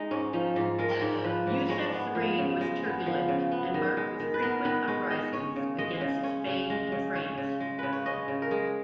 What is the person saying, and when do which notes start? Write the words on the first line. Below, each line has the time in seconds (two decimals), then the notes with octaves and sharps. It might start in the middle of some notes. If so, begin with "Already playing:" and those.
Yusef's reign was turbulent and marked with frequent uprisings against Spain and France.
Already playing: G#3 D#4
0.11 G#2 C#4
0.33 F3 D#4
0.56 G#2 F4
0.79 G#3 A#4
1.02 G#2
1.24 F3 B4
1.47 G#2
1.69 G#3 C#5
1.93 B3
2.15 F3
2.38 C#3
2.61 G#3
2.83 B3
3.06 F3
3.29 C#3
3.51 B3
3.74 D#3
3.97 G#3
4.20 D#3
4.34 B4
4.42 B3 A#4
4.65 D#3 B4
4.88 G#3 C#5
5.10 D#3 D#5
5.33 C#4 C#5
5.56 C#3
5.78 G#3 D#5
6.01 C#3
6.24 C#4 C#5
6.47 C#3
6.70 G#3
6.92 C#3
7.15 C#4
7.38 C#3
7.60 G#3
7.79 C#3 B4
7.93 C#5
8.06 C#4 D#5
8.28 C#3
8.42 A#4
8.51 G#3 G#4